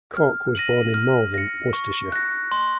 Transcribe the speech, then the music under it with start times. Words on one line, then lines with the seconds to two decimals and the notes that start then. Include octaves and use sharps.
Corke was born in Malvern, Worcestershire.
0.17 F6
0.55 A#6 D#7 F#7
0.94 F6
1.34 A#6 C#7
1.73 C#6
2.12 F#6 A#6
2.52 C6